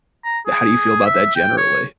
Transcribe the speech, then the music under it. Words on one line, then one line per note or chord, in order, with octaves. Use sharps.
how do you feel about that generally?
A#5
G#4
E5
G5
C#5